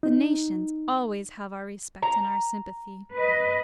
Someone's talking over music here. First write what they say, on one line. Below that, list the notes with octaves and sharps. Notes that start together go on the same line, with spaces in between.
The nations always have our respect and our sympathy.
D#4
A#5
B4 D#5